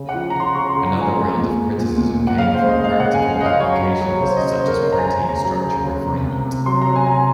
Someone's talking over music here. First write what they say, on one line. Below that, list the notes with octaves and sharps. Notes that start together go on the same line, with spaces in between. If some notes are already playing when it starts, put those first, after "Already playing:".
Another round of criticism came from practical applications, such as protein structure refinement.
Already playing: C#3
F#5
F3
C#3 A#5
C6
C#3 C#6
C6
C#3
A#5
F3
G#5
G#3
A#2
G#3
A#2
A#2
A#2
F#5
C#3 F5
C5
G#3
D#5
G#3 D#5 F5
C#3 F#5
G#3 G#5
F5
C#3 D#5 F5
F#3 C#5
F#3
F#3
C#3 C5
D#5
C#3
C5
C#3
A#4
C#3 C5
A#5
G#5
C#3
G#5
A#5
C#3
A#5
F#3
C#3
C#3
C3
C3
C3
F#3 C6
F#3 A#5
G#5
C3 G#5 A#5